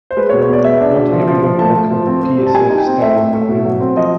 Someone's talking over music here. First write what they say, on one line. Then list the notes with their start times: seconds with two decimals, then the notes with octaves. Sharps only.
Not everyone welcomed the PsF standard, however.
0.11 C5
0.17 G#3 B4
0.29 C#5
0.33 B2
0.42 C#5
0.49 B3 D5
0.64 G#3 E5
0.80 D4
0.96 B2
1.12 F3
1.27 F3
1.43 F3
1.59 A3 A5
1.76 A3
1.91 F3
2.07 C4
2.23 C4
2.38 G3
2.47 A5
2.54 G3 G#5
2.70 D#4
2.78 G5
2.86 C4
3.02 A3 E5
3.17 A3
3.34 A3
3.48 B2
3.65 F#3
3.80 C4
3.96 F3 D#5